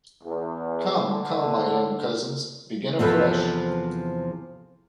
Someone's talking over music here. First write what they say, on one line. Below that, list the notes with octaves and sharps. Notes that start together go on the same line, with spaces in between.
Come, come, my young cousins, begin afresh!
E2
D3
E2 C3 F3 A4 B4